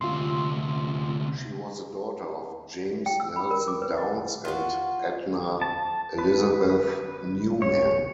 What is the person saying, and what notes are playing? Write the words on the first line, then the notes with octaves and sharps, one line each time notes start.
She was the daughter of James Nelson Downs and Edna Elizabeth Newman.
D2 C3 F4 C6
G5
E6
B5
A#4
D6
B4
D#5
F4 F#4
A5
B4
C#5